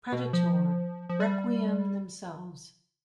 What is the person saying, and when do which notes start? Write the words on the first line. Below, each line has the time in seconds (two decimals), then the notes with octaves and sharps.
Predator: Requiem themselves.
0.12 B2
0.33 F3
1.09 F3
1.20 G3